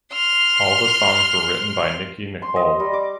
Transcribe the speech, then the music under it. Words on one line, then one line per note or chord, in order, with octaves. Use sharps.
All the songs were written by Nicki Nicole.
C6 F6
C6
D#5
G3
D6